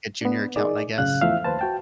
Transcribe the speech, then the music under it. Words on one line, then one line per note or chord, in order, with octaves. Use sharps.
a junior accountant, I guess,
B3 D4
D#4 G#4 A#4 D5
F#2 A2 C#3 F5 F#6
E2 F3 A3 E4 E5 F5
D#2 B4 C5 A5
F#4 G5 A5